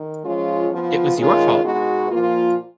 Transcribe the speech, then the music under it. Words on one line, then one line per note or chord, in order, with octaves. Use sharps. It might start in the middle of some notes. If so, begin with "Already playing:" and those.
It was your fault.
Already playing: D#3
F3 G#3 C#4 F4
F3 B3 F4
D#3 G#3 C#4 F4
B2 G#3 B3 D#4 F#4
A#2 F3 A#3 F4